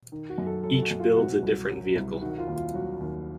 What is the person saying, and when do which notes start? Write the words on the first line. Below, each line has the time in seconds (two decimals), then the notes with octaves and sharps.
Each builds a different vehicle.
0.12 D#3
0.29 F#4
0.38 F#2
0.47 A4
0.63 F#3 A4
0.74 A4
0.82 F#4
0.91 F#2
1.00 F4
1.16 C3 F#4
1.43 C2
1.69 F#3
1.95 C2
2.21 D#3 F#4
2.38 F4
2.47 D#2
2.56 F4
2.74 F#3 F#4
3.00 D#2